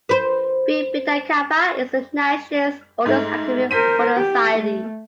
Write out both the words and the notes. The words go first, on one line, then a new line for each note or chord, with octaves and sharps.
Phi Beta Kappa is the nation's oldest academic honor society.
B4 C5
G#2 A3
A#4 C5 G6 B6 D#7
G4
A3